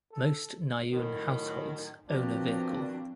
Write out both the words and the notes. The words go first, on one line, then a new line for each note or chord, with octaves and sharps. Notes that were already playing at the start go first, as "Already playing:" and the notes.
Most Niuean households own a vehicle.
A4
F#2 A2 D#3
B2 D#3 F3 C4 D4